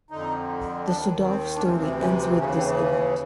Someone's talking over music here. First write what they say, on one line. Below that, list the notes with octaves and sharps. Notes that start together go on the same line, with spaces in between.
The Sudhof story ends with this event.
F2 D3 D#4
D#2 D#3 D4
C4
D4
D2 C3 E3 C#4
C4
C#4
C4
D#2 C#3 E3 C#4
C4